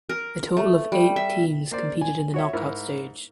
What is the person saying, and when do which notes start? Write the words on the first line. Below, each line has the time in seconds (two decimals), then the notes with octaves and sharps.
A total of eight teams competed in the knockout stage.
0.09 A#4
0.57 A3
0.92 G3
1.16 E5
1.71 A#3 C5 D5
2.01 G#5
2.34 F#4 C#5 E5
2.53 G#2 E4 A#4